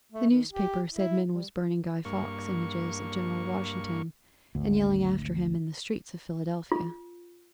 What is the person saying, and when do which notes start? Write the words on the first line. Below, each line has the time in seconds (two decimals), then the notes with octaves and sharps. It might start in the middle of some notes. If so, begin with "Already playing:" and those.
The newspaper said men was burning Guy Fawkes images of General Washington and yelling after him in the streets of Philadelphia.
0.12 A3
0.30 D#3
0.51 G4
0.92 E4
1.34 G3
2.05 G2 A#3 C#6
4.55 G#1 D2
6.72 F4